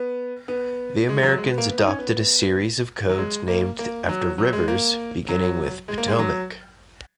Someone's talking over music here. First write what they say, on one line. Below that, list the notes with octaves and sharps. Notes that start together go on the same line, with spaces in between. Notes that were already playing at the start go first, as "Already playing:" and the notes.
The Americans adopted a series of codes named after rivers, beginning with "Potomac".
Already playing: B3
B3
G#3
F#3
G#3
B3
A#3
B3
D#4
C#4
B3
F#3
G#3
A#3
A#3
F#3
F#3
G#3
A#3
F#3
G#3
A#3
G#3
F#3